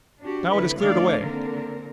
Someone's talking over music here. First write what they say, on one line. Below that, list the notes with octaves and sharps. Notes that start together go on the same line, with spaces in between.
Now it has cleared away!
D4 F#4 G4
D3 G3 B3 C4 E4 B4
D3 D#3 A3 D#4 D5 F5
D3 A#3 C4 A#4